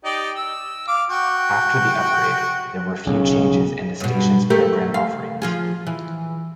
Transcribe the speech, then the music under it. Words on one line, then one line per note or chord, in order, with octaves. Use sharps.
After the upgrade, there were few changes in the station's program offerings.
D#4 G4 D5
E6
F5 D6
F#4 G5
B1 C#3
G2 B2
A3 G4 A#4
F5
F3 F4 G#4
E3